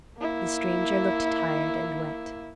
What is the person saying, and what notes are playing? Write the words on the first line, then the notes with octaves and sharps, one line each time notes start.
The stranger looked tired and wet.
A#3 E4